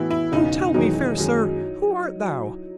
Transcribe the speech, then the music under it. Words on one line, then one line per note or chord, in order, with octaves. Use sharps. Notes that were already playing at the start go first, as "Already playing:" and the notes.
'Oh, tell me, fair sir, who art thou?
Already playing: A2 E3 B3 E4 F#4
E4
E1 E2 C#3 D#4
E1 E2 D#3 F#3 G#3 D#4
F#2 D#3 G#3